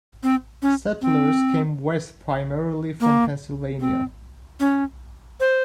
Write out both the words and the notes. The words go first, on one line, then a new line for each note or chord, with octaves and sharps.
Settlers came west primarily from Pennsylvania.
C4
C#4
C4
A#3
C4
C#4
C5